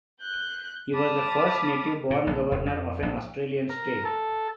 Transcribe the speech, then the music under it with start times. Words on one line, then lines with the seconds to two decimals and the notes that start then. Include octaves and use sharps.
He was the first native-born governor of an Australian state.
0.20 F#6 G6
0.93 A5 B5 D6 D#6 F6
2.10 A#2
2.27 A#1
2.52 E1
2.66 F2
3.03 A#1
3.69 A#4
4.05 A4